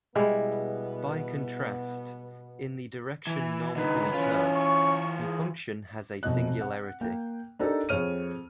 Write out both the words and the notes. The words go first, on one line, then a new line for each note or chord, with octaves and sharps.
By contrast, in the direction normal to the curve, the function has a singularity.
B2 G3 G#3 B3 E4
E3
C2 D3 D#4 B4
E3 C#4 F4
C#6
G#4
F1 B2 D#5 F#6
F#5
A#3 G5
D4 D#4 G4 A4 A#4
F2 G#4 C#5 F6 D#7